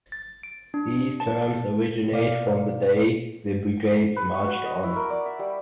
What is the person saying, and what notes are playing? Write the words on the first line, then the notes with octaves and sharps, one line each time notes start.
These terms originate from the day the brigades marched on.
A6
D7
D4
A5
B2 D5 F5
B4
C#6
F#4
D#5
E4
A#4
D5
E5
G3